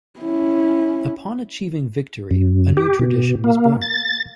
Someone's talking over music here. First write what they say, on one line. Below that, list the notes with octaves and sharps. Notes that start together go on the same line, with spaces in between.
Upon achieving victory, a new tradition was born.
C#4 E4
F#2
G4
B2
A#3
A6